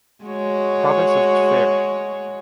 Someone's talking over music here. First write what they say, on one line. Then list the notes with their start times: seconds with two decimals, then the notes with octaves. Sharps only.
Province of Tver’.
0.25 G#3 F#4 C#5